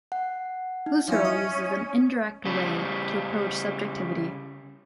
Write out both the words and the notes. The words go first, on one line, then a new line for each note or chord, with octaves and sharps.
Husserl uses an indirect way to approach subjectivity.
F#5
D#4
F3 C#4 E4
D#5
C#3 G3